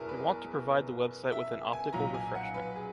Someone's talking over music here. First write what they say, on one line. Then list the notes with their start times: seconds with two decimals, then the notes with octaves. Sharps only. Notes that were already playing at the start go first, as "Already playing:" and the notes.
We want to provide the website with an optical refreshment.
Already playing: F#1 E2 B2 E4 G#4 A#4
0.09 B4
1.32 E5
1.73 G#5
1.93 B1 A#2 F#3 A#5
2.14 G#5
2.35 F#5
2.54 B4
2.76 G#4